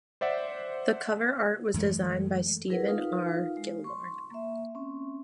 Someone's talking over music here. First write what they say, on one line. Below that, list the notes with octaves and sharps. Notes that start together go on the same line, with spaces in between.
The cover art was designed by Steven R. Gilmore.
C5 D5 E5 F#5
F#2 E3 G#3 A3
E4 G#4 A#4 B4 F#5
D#4 F4 F5
G#3
C6 C#6
A#3 E5
C4 C#4